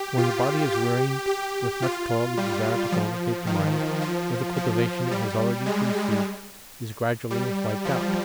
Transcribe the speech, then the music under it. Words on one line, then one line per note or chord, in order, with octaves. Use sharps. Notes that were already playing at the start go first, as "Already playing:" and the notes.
When the body is wearied with much toil the desire to cultivate the mind, or the cultivation it has already received, is gradually wiped out.
Already playing: G4
F4
G4
G4
F4
G3
F3
D#3
F3
F3
G3
G#3
G3
F3